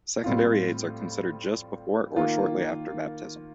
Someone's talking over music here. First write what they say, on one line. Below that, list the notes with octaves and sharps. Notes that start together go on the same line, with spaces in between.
Secondary aids are considered just before or shortly after baptism.
A2 G3 C4 F4
D#3 A#3 F4